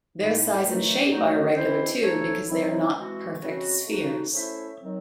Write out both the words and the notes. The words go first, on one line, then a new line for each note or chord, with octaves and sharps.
Their size and shape are irregular too because they are not perfect spheres.
A2 G#3 D#4
E2 D#3 F#3 A3
D#3 F#3 A3 D#4 F#4
E3 G#3 C4 E4 C5
A3 C4 D#4 A4 C#5
C3 D#3 F#3 C4 E4
E3 G#3 C4 F#4
C#3 G#3 C4 F#4
A3 D#4 F#4
A3 C#4 E4 C5 E5
D#3 F#3 C4